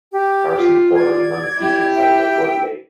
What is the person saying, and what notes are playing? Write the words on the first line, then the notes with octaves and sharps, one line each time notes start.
Harrison is bordered along its eastern side by Budd Lake.
G4
F4
D5 G#6
E4 G4
E5 G5